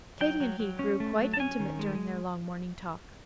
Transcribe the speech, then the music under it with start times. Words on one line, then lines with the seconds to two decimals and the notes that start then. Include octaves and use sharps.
Katy and he grew quite intimate during their long morning talk.
0.21 F#3 G5
0.40 F#3
0.60 F#3
0.79 C#4
1.00 A3
1.19 F#3
1.34 A5
1.40 C#4 G#5
1.60 D#3
1.79 G#3